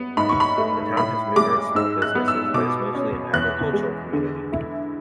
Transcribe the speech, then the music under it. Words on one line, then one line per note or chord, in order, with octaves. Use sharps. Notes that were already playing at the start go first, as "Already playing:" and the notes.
The town has numerous small businesses but is mostly an agricultural community.
Already playing: B3
G#2 B5
C#6
B5
A3
A2 B5
G#3 D6
G#2 E6
F#6
B3
E6
B2 D6
C#4
E2 F#6
G#3
D3
E4